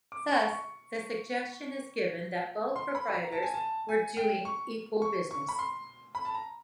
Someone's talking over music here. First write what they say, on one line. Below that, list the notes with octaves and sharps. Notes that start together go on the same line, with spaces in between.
Thus, the suggestion is given that both proprietors were doing equal business.
D6
C#6
C#6
C6
B5
A#5
A5
G#5
A5
G#5
G5
C#6
C#6
C#6
B5
C6
B5
A5
A#5